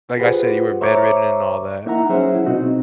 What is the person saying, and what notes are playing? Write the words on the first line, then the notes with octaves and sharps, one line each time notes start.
like, I said, you were bedridden and all that.
F4 G4 G#4 B4 C5 F#5
C5 C#5 E5 A#5 C#6 D6
A#3 D#4 E4 E5 F#5 A#5
F#3 C#4 G#4 C5 E5 F#5
E4
B2 C4 D#4 F#4